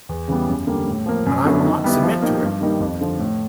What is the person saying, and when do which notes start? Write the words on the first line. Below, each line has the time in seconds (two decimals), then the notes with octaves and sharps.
But I will not submit to it!
0.09 E2
0.28 C#3 E3 G3 B3
0.48 F#2
0.67 D3 G3 A#3
0.87 A2
1.06 F3 A#3
1.26 F#2
1.45 D3 F#3 B3 E4
1.65 D#3
1.84 G3 B3 E4
2.03 F3
2.22 A#3 D#4 G4
2.42 G2
2.61 D#3 G3 A#3 D#4
2.80 F2
3.01 D3 F3
3.19 A2